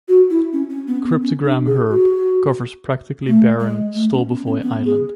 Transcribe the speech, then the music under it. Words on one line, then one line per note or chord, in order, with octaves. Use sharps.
Cryptogam herb covers practically barren Stolbovoy Island.
F#4
E4
C#4
C#4
B3
B3
C#4
D4
G#4
F#4
A3
G#3
A3
C#4
B3
C#4
B3
G#4